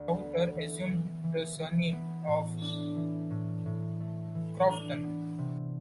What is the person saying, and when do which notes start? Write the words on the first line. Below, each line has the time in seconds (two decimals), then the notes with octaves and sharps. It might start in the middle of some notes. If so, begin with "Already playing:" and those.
Lowther assumed the surname of Crofton.
Already playing: D2
0.20 B3
0.55 E3
0.89 E3
1.24 E3
1.59 E3
1.93 B3
2.27 A2
2.62 D4
2.96 E3
3.31 A2
3.66 A2
4.00 A3
4.35 E3
4.69 D4
5.04 B3
5.38 C3